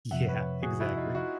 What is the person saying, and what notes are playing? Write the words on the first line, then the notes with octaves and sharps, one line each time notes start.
Yeah. Exactly.
F2 C3 F3 E5 F#5
B4 C#5
F#4 G#4
E4 F#4
D#4 F4
E4 F#4